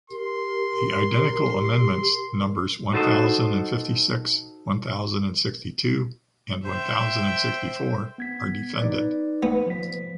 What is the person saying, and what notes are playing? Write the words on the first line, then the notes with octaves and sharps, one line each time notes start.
The identical amendments numbers one thousand and fifty-six, one thousand and sixty-two and one thousand and sixty-four are defended.
G4 A#4 C6
D#4 F#4 A4 B4 C5 D#5
C5 E5 G5
B3 G#6 B6
D#4 B4 D5
B3
F3 B6